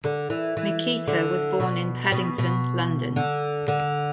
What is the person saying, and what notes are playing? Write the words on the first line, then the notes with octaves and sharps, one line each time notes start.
Miquita was born in Paddington, London.
D3
E3
E3
D3
B2
B2
B2
D3
D3